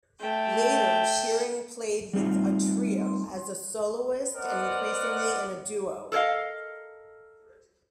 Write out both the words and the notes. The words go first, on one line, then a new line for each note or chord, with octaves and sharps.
Later, Shearing played with a trio, as a soloist and increasingly in a duo.
A3 G5
G3 A3 C4 D#4 F4
B3 A#4 C5 D5 D#5 F#5
A4 A#4 C#5 D#5 F5